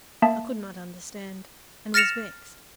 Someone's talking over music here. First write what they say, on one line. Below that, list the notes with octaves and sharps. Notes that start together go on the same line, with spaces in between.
I could not understand, and was vexed.
A#3 E5 A5
F6 A6 A#6 C#7 E7 F7